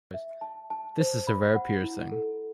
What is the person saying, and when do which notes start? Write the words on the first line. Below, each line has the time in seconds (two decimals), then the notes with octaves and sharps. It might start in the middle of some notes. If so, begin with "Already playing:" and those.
This is a rare piercing.
0.14 E5
0.41 A5
0.70 A5
0.99 C5
1.27 B5
1.56 F#5
1.84 E4
2.12 A4